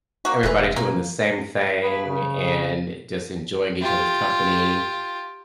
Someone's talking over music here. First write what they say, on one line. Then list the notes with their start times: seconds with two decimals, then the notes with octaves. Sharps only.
everybody's doing the same thing and just enjoying each other's company,
0.25 A#3 F#4
0.43 E1 E3 B4
0.76 B2 A#3
0.94 F3
1.81 E2 A#3 G#4 B4 B5
2.07 C#3
3.81 F4 G4